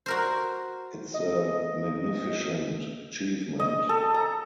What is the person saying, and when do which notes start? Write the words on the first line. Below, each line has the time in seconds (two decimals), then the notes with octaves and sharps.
It's a magnificent achievement.
0.06 F#4 A#4 C5
1.14 D#5
3.60 D#5
3.89 A4
4.14 A#5